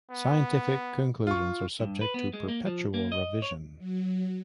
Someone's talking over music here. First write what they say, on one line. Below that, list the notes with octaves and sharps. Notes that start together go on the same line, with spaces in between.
Scientific conclusions are subject to perpetual revision.
B3
F4 C#6
G2
B4
B3
G#3
A#3
F3
A#3
D#5
C#5
F#3